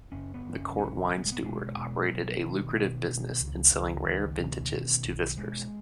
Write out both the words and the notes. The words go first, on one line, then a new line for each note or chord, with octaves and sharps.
The court wine steward operated a lucrative business in selling rare vintages to visitors.
F#1 C#4
B3
F#1
C#4
B1 C#4
B1 C#4
B3
G#3
B3
B2 G#3
B2
B2 F#3
B2 D#3
B2
B2
C#2
C#2
C#2 D#3
B2
B2
B1
B2 G#3